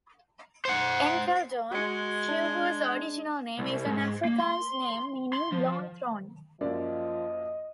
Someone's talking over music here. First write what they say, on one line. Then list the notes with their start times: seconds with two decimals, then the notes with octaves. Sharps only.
Enkeldoorn, Chivhu's original name, is an Afrikaans name meaning "lone thorn".
0.65 C5 F#5
1.71 G#3 F#4 C#7
2.28 D4
3.59 C2
3.86 G#2
4.25 A#3
4.40 C6
5.33 C6
5.52 F3
6.61 F#2 F3 A#3 D5 D#5